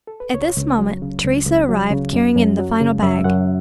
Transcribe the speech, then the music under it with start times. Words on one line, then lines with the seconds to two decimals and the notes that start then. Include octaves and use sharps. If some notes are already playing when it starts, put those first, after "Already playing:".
At this moment Teresa arrived carrying in the final bag.
0.07 A4
0.20 B4
0.34 C#2 C#5
0.57 C#2
0.79 F#3
1.02 C#3
1.24 C#2
1.46 C#2
1.69 F#3
1.91 C#3
2.13 F#2
2.36 F#2
2.59 F#3
2.80 C#3
3.03 F#2 E5
3.24 F#2 F#5